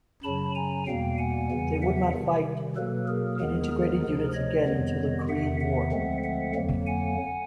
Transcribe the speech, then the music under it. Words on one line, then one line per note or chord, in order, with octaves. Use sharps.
They would not fight in integrated units again until the Korean War.
F#2 C#3 F#3 A5 B5
G#5 A#5
E2 B2 G3 A#3 F5 G5
F#5 G#5
E2 C#3 E3 G3
E5 F#5
C3 D#3 G3
B2 F#3 A#3 A4 B4
G#4 A#4
D#2 D#3 G#3 B3 G#4 A#4
G#4 A#4
D2 C3 F3
C#5 D#5
F2 C3 D#3 G3 B3
E2 C3 D#3 E5 F#5
E5 F#5
D2 D3 F3 G#3 C4
E5 F#5
F2 D3 F#3 A#3
F#5 G#5